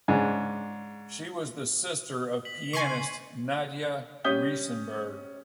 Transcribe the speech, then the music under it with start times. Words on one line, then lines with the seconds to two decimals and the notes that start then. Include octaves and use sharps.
She was the sister of pianist Nadia Reisenberg.
0.08 G#2 C#3 D4 G#5
2.45 B6 F#7
2.73 C#3 G#5 C6 C#6 C7 D#7
4.24 G3 C#4 D#6 G6 B6 G7